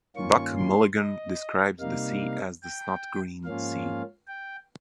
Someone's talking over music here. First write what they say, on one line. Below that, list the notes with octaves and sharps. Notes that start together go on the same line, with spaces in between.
Buck Mulligan described the sea as The snotgreen sea.
G2 D#3 A#3 C#4 F4 C#6
C6
D#5
C3 G3 A#3 D#4 F5
G5
G#2 F3 A#3 C#4 F4 F5
G5